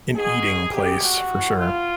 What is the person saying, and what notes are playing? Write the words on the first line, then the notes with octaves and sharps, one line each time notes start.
an eating place for sure.
B2 G#4
B2 G4
F#4
C3 E3
F4